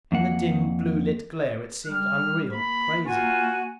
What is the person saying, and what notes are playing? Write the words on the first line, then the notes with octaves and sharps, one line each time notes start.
In the dim, blue lit glare it seemed unreal, crazy.
F2 A#3 F#5
G3 F6
A#3 B5
F4 F#4 G#5 C#6